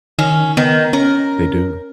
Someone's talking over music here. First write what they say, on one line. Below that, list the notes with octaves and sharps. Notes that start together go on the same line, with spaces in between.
They do.
D#3 C#4
D#3 B3
C#4 A#4